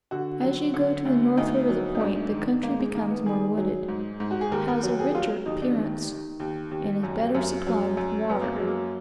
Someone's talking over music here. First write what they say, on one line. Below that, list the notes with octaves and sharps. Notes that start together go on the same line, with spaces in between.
As you go to the northward of the point, the country becomes more wooded, has a richer appearance, and is better supplied with water.
D3 F#4
F#3
D3
D2
D2 D#4
F#3
D#4
G#2 D4
D#3
G#2 A#3
G#3
D#3 A#3
B3
D#3 G#4
F#3
G#2
G#2
F#4
G#4
D#2 A#4
A#4
F#3
G#4
F#3 F4
D#2 D#4
D4
D#3
D#3
D#2
D#2
F#2
F#2
F#3
F#2
F#2 B3
A#3
F#3 G#3
A#3